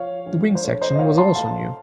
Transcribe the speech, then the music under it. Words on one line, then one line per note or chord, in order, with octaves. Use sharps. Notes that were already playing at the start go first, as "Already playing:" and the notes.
The wing section was also new.
Already playing: F3 C#5 F5
A#1
C5
A3 C#5
C5 D#5
D#5
A#2 C#5 F5
A5 C6
A3 F5 A5